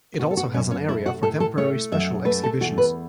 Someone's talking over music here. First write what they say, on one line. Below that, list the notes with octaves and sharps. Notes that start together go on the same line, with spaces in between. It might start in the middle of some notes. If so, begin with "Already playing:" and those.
It also has an area for temporary special exhibitions.
B3 F#4
A4
F#4
F#2 C#4
C#4
A3 E4
F#4
A2 A4
A4
A3 C#5
F#2 E5
A3 B4
A4
E2 F#4
B4